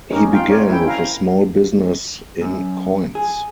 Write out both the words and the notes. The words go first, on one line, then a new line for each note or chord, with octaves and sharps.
He began with a small business in coins.
G#3 C#4 D#4 G4 A#4
F4 F5 G5
C4 A#4 C#5 D5
C#4 E4 C5 G5
F5 A#5
F#2
G#4